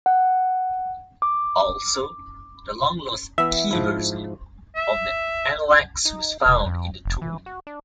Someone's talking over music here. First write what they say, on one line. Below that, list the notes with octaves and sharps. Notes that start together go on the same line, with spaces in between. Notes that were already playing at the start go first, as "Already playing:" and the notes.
Also the long lost "Qi version" of the Analects was found in the tomb.
F#5
D6
E3 B3 E5
G#2 F3 E4
E5
D#4
E1
F2
F1
E3
F#4
D4